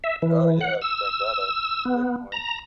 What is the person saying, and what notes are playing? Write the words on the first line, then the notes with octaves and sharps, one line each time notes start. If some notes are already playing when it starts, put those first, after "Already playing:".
Oh, yeah, you bring that up. Great point.
E5
E3
F#5
E6
B3
A#5